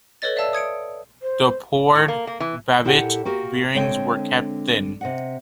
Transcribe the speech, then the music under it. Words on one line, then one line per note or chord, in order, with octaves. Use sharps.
The poured Babbitt bearings were kept thin.
A4 B4 C#5 D#5 A6
D5 E5 F5 A5 E6
D#6 G#6 C#7 D7
C5
A2
A#3
A#3
E3
A#2 E4 G4 A4 F#5
A#3 F#4 G4 A#4
D3 G#3 C4 C#5 F5 G5
C3 D#5 F#5